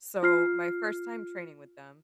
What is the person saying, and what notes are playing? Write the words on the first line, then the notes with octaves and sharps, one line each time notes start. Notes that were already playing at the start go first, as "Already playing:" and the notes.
So my first time training with them
F4 F6 C7